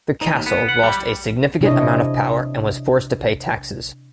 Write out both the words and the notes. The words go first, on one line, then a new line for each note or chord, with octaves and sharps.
The castle lost a significant amount of power and was forced to pay taxes.
D#4
D#2
B3
F#5
G3
C3 D4 E4 C#5 D#5